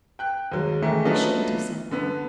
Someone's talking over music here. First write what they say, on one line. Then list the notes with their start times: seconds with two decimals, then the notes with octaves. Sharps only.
I shouldn't have said that.
0.19 G5 F#6
0.52 D#2 F#3 G#3
0.82 D#3 E3 G#3 A3 A#4
1.05 F#3 A3 B3 D4 D#4 F4
1.91 D3 B3